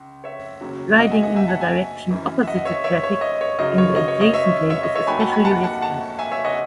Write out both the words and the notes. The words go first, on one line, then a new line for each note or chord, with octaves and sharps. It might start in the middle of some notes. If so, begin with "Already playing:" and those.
Riding in the direction opposite to traffic in the adjacent lane is especially risky.
Already playing: C#2
C#5 E5
D#2 C#3 F#3
D#5 F#5
E5 G#5
D#5 F#5
E5 G#5
F#5 A5
E5 G#5
F#2 E3
E5
D#5 F#5
C#5 E5
C#5 E5
C#5 E5
D#5
C#5
F#2 C#3 F#3 D#5
C#5
D#5
C#5
D#5
C#5 E5
C#5 E5
D#5
C#5 E5
D#2 D#3 F#3 G#5 B5
F#5 A5
G#5 B5
F#5 A5
F#5 A5
F#5 A5
E5 G#5
C#5 E5
D#5 F#5